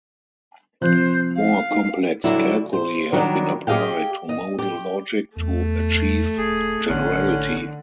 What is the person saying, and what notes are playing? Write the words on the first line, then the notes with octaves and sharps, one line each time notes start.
More complex calculi have been applied to modal logic to achieve generality.
C3 F3 C5 F#6
F5
D#4
D3 F#3 G3 E4
C5
D#3 F#3 G3 D4
G4 G#4 D#5 F5 G5
D#5
G4
E2 A3
D#1 G#4
A1 D3 C#4 F#6